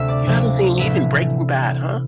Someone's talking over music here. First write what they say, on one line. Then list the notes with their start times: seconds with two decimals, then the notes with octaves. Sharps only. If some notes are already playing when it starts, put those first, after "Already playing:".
You haven't seen even Breaking Bad, huh?
Already playing: D2 C3 A3 E5 E6
0.08 D5 D6
0.26 D2 C3 F3 A3
0.78 A1 A2 E3 E5 E6